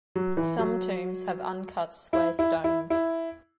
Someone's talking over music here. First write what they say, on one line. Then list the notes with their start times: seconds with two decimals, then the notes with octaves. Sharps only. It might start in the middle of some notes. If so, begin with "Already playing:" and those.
Some tombs have uncut square stones.
0.16 F#3
0.37 E3
0.59 F#3
2.13 E4
2.39 E4
2.64 E4
2.90 E4